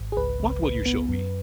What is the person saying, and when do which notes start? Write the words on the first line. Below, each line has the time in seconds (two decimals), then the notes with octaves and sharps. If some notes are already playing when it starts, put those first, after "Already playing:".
What will you show me?'
Already playing: G#1
0.12 G#4
0.17 C#2 B4
0.40 C#2
0.63 C#2
0.86 B3
1.09 F#2